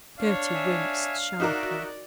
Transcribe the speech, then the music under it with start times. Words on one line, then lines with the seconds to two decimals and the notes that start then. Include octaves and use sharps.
Gerty winced sharply.
0.19 D4 C#5 F5
0.54 E5 G#5
1.40 D#4 F#4 A#4 D5 E5